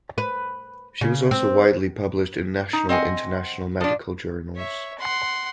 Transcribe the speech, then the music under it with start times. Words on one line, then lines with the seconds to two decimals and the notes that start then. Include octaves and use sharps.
She was also widely published in national and international medical journals.
0.18 B4
1.01 C#3
1.31 C4
2.73 D#4
2.89 C4 D#5 F#5 G#5
3.81 F3 D4
4.55 C#5 E5
4.98 F#5 C6